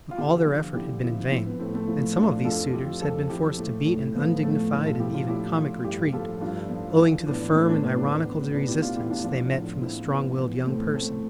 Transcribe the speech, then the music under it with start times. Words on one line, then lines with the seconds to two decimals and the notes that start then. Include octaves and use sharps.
But all their efforts had been in vain and some of these suitors had been forced to beat an undignified and even comic retreat, owing to the firm and ironical resistance they met from the strong-willed young person.
0.11 F4
0.18 D3 E4 G4
0.46 F3
0.74 D3 E4 G4
1.03 F3 C4 E4
1.31 F3 C4 E4
1.46 B3
1.59 A2 A3 C4
1.74 A3 C4
1.88 F3 C4 E4
2.16 F3 D4 F4
2.44 F2 F4 A4
2.73 F2 E4 G4
3.01 F2 F4 A4
3.29 F2 E4 G4
3.58 A2 A3
3.86 A2
4.15 F3 B3
4.42 A2 A3
4.71 A2 B3
4.85 F4 A4
5.00 F3 E4 G4
5.13 D4 F4
5.28 A2 E4 G4
5.56 A2
5.84 G2 E4 G4
6.13 F3 F4 A4
6.41 G2 D4 F4
6.70 F3
6.97 E3 D4 F4
7.26 A2 B3 D4
7.54 A2 A3 C4
7.69 B3 D4
7.83 A2 B3 D4
7.97 B3 D4
8.11 E2 A3 C4
8.26 B3
8.39 B2
8.54 B3 D4
8.68 B2 E4 G4
8.82 D4 F4
8.96 E2 E4 G4
9.10 D4 F4
9.24 F3 D4 F4
9.53 A2
9.81 F3 C4 E4
10.10 F3 B3
10.38 E3 B3
10.66 A2 A3 C4
10.94 A2 A3 C4